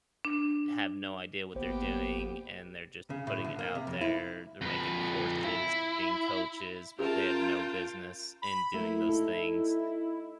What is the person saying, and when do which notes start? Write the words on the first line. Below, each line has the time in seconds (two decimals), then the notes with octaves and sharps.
have no idea what they're doing, and they're just putting it out there. They're making courses, being coaches, but they have no business in doing those things,
0.25 D4
1.55 G#1 A#3 B3 G4 C5
3.10 C#3
3.27 A2
3.44 D3
3.59 A#3
3.75 C3
3.87 F2
4.01 E4
4.62 F2 B4
5.44 E4
6.99 C#4 F4 G4 G#4 A#4 E5 G5 A5
8.42 B5
8.74 A3 A#3 E4 A#4
9.09 D#4 A4